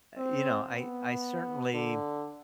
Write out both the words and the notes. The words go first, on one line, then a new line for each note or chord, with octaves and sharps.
you know, I I certainly
C4
B3
D3